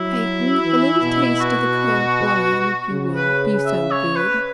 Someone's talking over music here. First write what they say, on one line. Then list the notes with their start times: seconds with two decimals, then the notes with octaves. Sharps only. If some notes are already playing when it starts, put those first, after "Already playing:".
Peyton--a little taste of the currant wine, if you will be so good.
Already playing: F#3 E4
0.64 E3
1.02 B2
1.40 F#4
2.91 C#3
3.15 B4
3.66 E5
3.91 C#5
4.16 B4